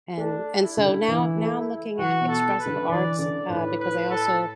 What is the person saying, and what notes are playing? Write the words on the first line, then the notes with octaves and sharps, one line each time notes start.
and and so now now I'm looking at expressive arts, uh, because I also,
A3 D4
E4
D3
E3
A3
E3 F#4
B2
A4
B4
D3
E3 D5
D3 D5
A2 B4
B4
A4